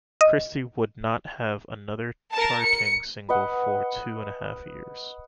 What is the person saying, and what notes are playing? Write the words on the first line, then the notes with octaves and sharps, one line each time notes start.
Christie would not have another charting single for two and a half years.
D#5
A#4 A5
C#7
B4 D#5 F#5